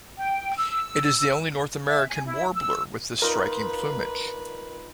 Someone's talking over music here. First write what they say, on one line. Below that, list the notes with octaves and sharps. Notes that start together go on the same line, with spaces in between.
It is the only North American warbler with this striking plumage.
G5
E6
E5
G#5
E4
E6
D#4 F4 A#4 B4 D5